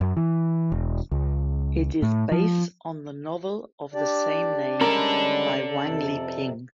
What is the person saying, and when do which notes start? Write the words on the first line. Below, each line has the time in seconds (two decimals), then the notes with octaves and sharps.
It is base on the novel of the same name by Wang Liping.
0.01 F#2
0.17 E3
0.72 E1
1.11 C#2
2.02 A2
2.32 F3
3.94 D4 G4 D5
4.81 G3 G#3 C#4 D4 A4 A#4 D5
5.79 F2 C3